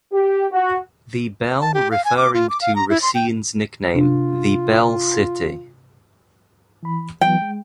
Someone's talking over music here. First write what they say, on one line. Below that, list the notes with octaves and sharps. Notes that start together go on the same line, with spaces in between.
The Belle referring to Racine's nickname "The Belle City".
G4
F#4
A5
G4
F5
G#5
D6
F4
D6
F5
A#5
E4
C6
G5
C3 D4 F4
E3 B5
E3 F#3 B3 G5
G#3